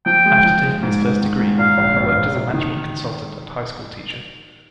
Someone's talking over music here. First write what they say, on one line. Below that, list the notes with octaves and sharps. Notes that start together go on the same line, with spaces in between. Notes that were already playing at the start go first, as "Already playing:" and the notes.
After taking his first degree he worked as a management consultant and high-school teacher.
F3 G5
G#3
F3
G#3
G#2
G#2
D#3
G#2
A#2 F5
A#1
A#1
A#1
C3
D#3